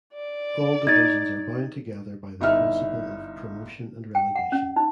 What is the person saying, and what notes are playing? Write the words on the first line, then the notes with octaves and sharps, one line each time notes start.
All divisions are bound together by the principle of promotion and relegation.
D5
D#4 G#6 A6
G1 D#4 E4 E5 F6
G5
F#5
C#4
D#4